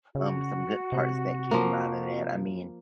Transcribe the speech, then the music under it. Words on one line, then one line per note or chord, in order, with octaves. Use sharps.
um, some good parts that came out of that. I mean,
C#3 F#4
C3
F3 A#3